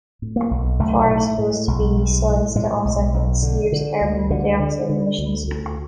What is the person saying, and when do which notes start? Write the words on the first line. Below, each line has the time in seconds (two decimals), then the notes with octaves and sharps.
The forest was to be sized to offset the year's carbon dioxide emissions.
0.22 A2
0.36 A#3
0.51 B1
0.79 B1 A3
1.09 A2
1.38 A2
1.68 B1
1.97 B1
2.26 A2
2.55 A2 G#3
2.85 B1
3.14 B1
3.43 D3
3.72 D3
4.01 D2
4.31 D2 D3
4.60 D3
4.89 D3
5.18 D2
5.48 D2